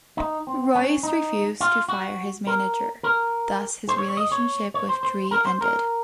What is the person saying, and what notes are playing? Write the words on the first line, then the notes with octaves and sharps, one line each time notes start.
Royce refused to fire his manager, thus his relationship with Dre ended.
D#4
C4
C#4
D#4
F4
F#4
A#4
A#4
C5
C#5
C#5
D#5
C#5
C#5
C5
C5
A#4
C5
A#4